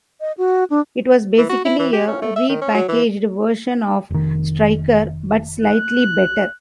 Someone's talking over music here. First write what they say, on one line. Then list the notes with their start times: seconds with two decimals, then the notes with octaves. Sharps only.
It was basically a repackaged version of Striker, but slightly better.
0.21 D#5
0.38 F#4
0.70 D4
1.38 E3
1.49 F#4
1.65 E4
1.79 E3
1.93 G4
2.07 C#4
2.22 A3
2.36 E5
2.49 D#3
2.61 C#4
2.74 F#3
2.88 E3
4.10 F1 D#3
5.61 F#6